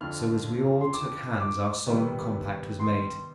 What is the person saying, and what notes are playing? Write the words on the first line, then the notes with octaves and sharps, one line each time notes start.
So as we all took hands our solemn compact was made.
F2 D3 F3 F6
C6
D6
D6
C3 D#3 G3 B3
C6